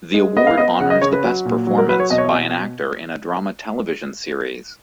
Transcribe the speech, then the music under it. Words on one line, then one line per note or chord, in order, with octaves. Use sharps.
The award honors the best performance by an actor in a drama television series.
G#3
B3 D#5
F5
B3 D#5
C#3 F#5
D#5
C#3 C#5
B4
F#3
A#2
F#3
A#4
F#3 B4
C#5
B2 D#5
C#5
D#5
B2